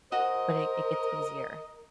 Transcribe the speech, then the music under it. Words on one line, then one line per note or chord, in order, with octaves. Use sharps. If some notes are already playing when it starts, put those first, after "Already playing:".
but it it gets easier.
F#4 A#4 C5 D#5